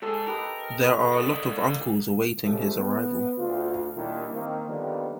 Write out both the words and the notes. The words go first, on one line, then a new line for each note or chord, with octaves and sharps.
There are a lot of uncles awaiting his arrival.
G#2 G#4 A4 A5 D#6
D#4 G4 A#4 B4
D4 A#4 D#5 F#5
F2 F3 G#3 A3 C#4 G4
B3
D2 F4
D#2 A#2 D#3 G3 D4 E4
D#3 A#3 C4
D3 D#3 F3 G3 A#3 B3